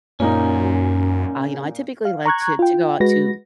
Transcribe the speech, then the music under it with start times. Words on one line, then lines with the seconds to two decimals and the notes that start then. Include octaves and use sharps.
uh, you know, I typically like to to go out to
0.20 F#2 A#2 A#3 C#4 D#4
2.05 F5
2.26 A#5 C#6 F#6 G#6
2.59 F4 G5
3.00 G#3 F#4 B4 A#6